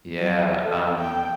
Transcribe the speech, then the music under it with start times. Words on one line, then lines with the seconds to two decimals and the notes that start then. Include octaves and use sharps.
Yeah, um
0.19 F#3
0.61 A4
1.01 G5